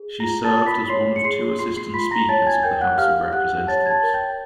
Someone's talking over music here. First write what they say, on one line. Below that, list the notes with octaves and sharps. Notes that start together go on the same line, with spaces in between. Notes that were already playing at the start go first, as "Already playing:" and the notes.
She served as one of two Assistant Speakers of the House of Representatives.
Already playing: G#4
F4 A#5 A#6
A5 A6
F4
B5 B6
C#5 C6 C7
C#7
G#4 C6 C7
F4 C6 C7
C6 C7
F4 B5 B6
A#5 A#6
C#5 A5 A6
G#5 G#6
A#4 G5 G6
F#5 F#6
G4 F5 F6
G4 F#5 F#6
C#5 A5 A6
G#6
A5 A6
A#4
G5 G6